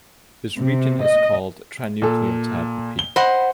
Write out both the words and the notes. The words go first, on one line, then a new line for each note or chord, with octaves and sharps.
This region is called a trinucleotide repeat.
C3
D#5
A#2 A4
G7
C5 D#5 F#5 B5